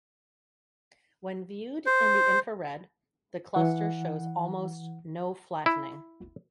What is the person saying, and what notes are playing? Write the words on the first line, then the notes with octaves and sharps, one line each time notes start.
When viewed in the infrared, the cluster shows almost no flattening.
C5
E3 F#5
E4